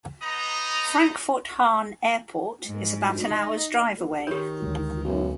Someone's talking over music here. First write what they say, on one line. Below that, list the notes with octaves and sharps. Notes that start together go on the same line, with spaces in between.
Frankfurt-Hahn Airport is about an hour's drive away.
B3 D#4 D#5 A#5
G#2
D#4
D#3 G4 C#5
D2 D3 G#3
B1 F#2